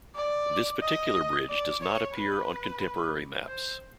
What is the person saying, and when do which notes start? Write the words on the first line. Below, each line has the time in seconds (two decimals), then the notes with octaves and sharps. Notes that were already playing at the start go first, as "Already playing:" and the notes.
This particular bridge does not appear on contemporary maps.
0.15 D5
0.82 D#5
1.48 D5
1.81 C#5
2.14 B4
3.47 C5